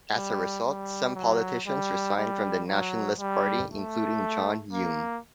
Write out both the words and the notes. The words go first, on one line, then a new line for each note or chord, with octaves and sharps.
As a result, some politicians resigned from the Nationalist Party, including John Hume.
G3
G3
F#3
G3
G3
F#3
G3
A3
A#3